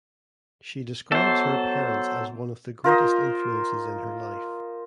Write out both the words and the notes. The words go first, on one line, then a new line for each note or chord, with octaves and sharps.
She describes her parents as one of the greatest influences in her life.
F#3 B3 A4 C5
F4 A#4 C5 D#5